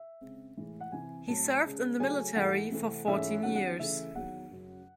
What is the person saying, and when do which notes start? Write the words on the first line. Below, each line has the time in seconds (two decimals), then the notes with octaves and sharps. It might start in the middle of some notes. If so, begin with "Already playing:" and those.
He served in the military for fourteen years.
Already playing: E5
0.21 C#3 G#3 C4
0.57 A2 E3 G#3
0.80 F#5
0.92 C3 E3 C4 G#5
1.28 A2 F#3 C4 A5
1.64 C#3 G#3 C#4
2.00 C#3 F#3 A3 C#4 G#5
2.36 G#2 E3 A3 F#5
2.71 C3 E3 A3 C4
3.07 G#2 E3 A3 C#4 E5
3.43 E2 D#3 F#3 C#4 F#5
3.55 F#5
3.79 C#3 E3 A3 E5
4.15 E2 D#3 F#3 F#5
4.51 F#2 C#3 F#3